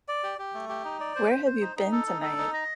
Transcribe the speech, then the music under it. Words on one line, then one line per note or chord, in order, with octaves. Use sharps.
Where Have You Been Tonight?
D5
G4
G4
A3
G4
D#4
D5
C5
C5
C5
D#4
D#4
A4
D#4
A4
D#4
D#5